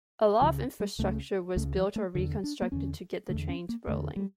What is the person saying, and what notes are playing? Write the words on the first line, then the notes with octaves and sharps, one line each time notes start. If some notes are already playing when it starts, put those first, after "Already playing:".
A lot of infrastructure was built or reconstructed to get the trains rolling.
C#2 C#3 F3
G3
C#2 C#3 A3
C#2 C#3 A3
F3
A3
E2 D3
D4
A#3
E2 D3 C#4
E2 D3 A3
C#4
A#3
E2 D3 A3
G3